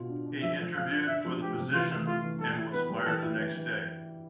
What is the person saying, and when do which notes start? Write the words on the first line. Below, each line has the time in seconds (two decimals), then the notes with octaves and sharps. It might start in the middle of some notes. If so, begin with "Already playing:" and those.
He interviewed for the position, and was fired the next day.
Already playing: B2 F4
0.09 D4
0.26 D4
0.42 F3 E5
0.59 F3
0.75 F3 F5
0.92 D4
1.08 D4 E5
1.25 F3
1.41 A3 G4
1.58 C3
1.74 E3 F4
1.91 A3
2.07 A3 F4
2.23 E3
2.40 G3 A4
2.57 E4
2.73 B3 B4
2.90 G3
3.06 E3 A4
3.22 E4
3.38 E3
3.55 E3